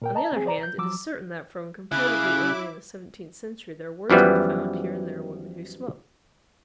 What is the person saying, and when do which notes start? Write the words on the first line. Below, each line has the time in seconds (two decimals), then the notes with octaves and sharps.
On the other hand, it is certain that from comparatively early in the seventeenth century there were to be found here and there women who smoked.
0.02 A#2 A#4 G5
0.15 D#5 A5 A#5
0.33 C4 G#4
0.46 C5 D5 A#5
0.63 G6
0.78 F3 F#3 D6 E6
1.91 C#3 E4 D6 F#6
4.10 F#2 E3 F3 G3 B3